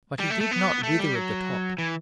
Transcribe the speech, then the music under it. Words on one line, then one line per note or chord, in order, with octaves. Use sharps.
But he did not wither at the top.
G3
A3
A3
B3
A3
G3
F#3
E3